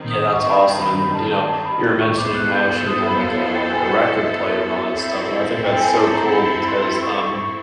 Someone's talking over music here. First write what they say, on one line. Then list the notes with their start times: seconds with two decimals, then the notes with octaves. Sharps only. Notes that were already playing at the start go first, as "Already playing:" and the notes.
Yeah, that's awesome, and, you know, you were mentioning how she had, like, a like, a record player and all that stuff, and I think that's so cool because, um,
Already playing: D#3 G3 C4
0.10 D#6
0.33 C#6
0.79 B5
0.96 B5
1.13 A5
1.31 A5
1.48 A5
1.65 B5
2.00 C#6
2.17 B3 E4 A4 C5 D6
2.34 F#6
2.52 G6
2.69 G6
2.86 D#6
3.04 B5
3.21 F5
3.38 F5
3.55 G5
3.73 G#5
3.84 G5
3.90 F#5
4.08 D#5
4.24 E5
4.94 C4 E4 A4
5.64 G5
5.81 G#5
5.98 A5
6.15 A#5
6.32 B5
6.67 C6
7.01 C#6